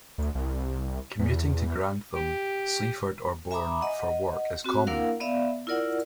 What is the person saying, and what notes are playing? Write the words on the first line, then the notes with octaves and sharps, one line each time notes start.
Commuting to Grantham, Sleaford or Bourne for work is common.
D2
C2
E2
G4
E5 G#5 A#5 B5 D6 D#6
D#5 F#5
C4 F#4
A#3 D4 E4 A#4 F5 F#5
B3 D5 E5 F5
E4 F4 A#4 D5 F#5